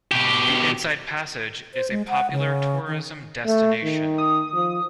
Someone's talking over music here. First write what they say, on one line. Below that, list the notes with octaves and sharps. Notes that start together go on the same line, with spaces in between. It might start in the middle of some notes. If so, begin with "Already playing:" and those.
The Inside Passage is a popular tourism destination.
B2 G4
C5
G#3
F#5
C#3
D#3
A3
D#3
D#6
F3